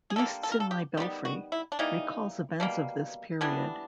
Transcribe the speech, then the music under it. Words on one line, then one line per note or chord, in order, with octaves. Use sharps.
"Beasts in My Belfry" recalls events of this period.
G#4
D3 G3 A#3 A4
A4
A#4
A4
G4
D#3 G3 B3 G4
F#4
E4
D4
E3 G3 A#3 D#4
B2 G3 A#3
E3 G3 B3 D4